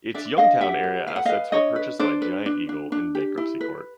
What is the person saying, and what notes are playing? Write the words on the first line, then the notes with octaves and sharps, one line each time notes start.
Its Youngstown-area assets were purchased by Giant Eagle in bankruptcy court.
D4 D5 E5
D4 D#5 F5
G4 E5 F#5
B4
B4 F5
F#5
B4 D#5 F5
D4 C#5 D#5
B4
D4 C5 D5
B4
D4
D4
D4
G4
E4
B4